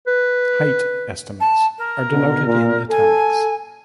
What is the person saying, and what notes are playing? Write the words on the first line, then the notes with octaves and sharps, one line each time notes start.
Height estimates are denoted in "italics".
B4
A5
A#4
B2 D3
A#2
A4 G#5